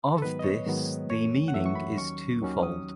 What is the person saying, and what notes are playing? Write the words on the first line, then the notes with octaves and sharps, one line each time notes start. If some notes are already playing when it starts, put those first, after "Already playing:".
Of this the meaning is twofold.
A4
G#2 D#3 F#3 B3 B4
D#5
C#5
G#2 D#3 F#3 B3
F#2 E3 A3 C#5
F#5
F#2 E3 A3 E5
C#6
B5
D#2 D#3 F#3 C#4 C#6
D#2 D#3 F#3 C#4
D#6